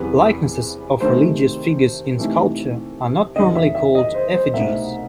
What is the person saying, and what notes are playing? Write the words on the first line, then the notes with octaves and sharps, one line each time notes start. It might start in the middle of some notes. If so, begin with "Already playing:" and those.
Likenesses of religious figures in sculpture are not normally called effigies.
Already playing: E2 C3 E3 G3 B3 B4
C3 D#3 A3 C5
C3 E3 A3 D#4
E2 C3 D#3 F#3 D#5
E5
E5
D#5
C5
C5
C2 B2 A3 C4 D#4 E5